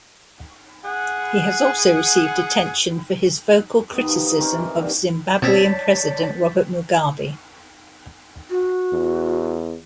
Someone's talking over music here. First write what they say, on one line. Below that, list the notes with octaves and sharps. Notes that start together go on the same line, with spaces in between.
He has also received attention for his vocal criticism of Zimbabwean president Robert Mugabe.
G#4 F#5
D#3 B3 G4
F3
D#4 A#5
C4 C#4 A#4
E3
A#2 D3 D#3 G3
B2 C4 C#5 D5 A5 G6 A6 B6
F#4
E2